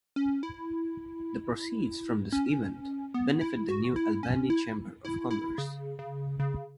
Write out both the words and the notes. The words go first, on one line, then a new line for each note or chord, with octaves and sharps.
The proceeds from this event benefit the New Albany Chamber of Commerce.
C#4
E4
C#4
B3
E4
F#4
E4
C#4
E4
E4
E4
C#3
C#3
C#3